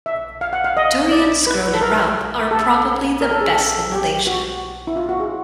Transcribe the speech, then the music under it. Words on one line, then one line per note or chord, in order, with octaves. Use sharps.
Durians grown in Raub are probably the best in Malaysia.
E5
F5
F#5
F5
D#5
D5
B4
A4
A#4
A4
A#4
A4
G#4
A4
G4
F#4
E4
F4
F#4
G#4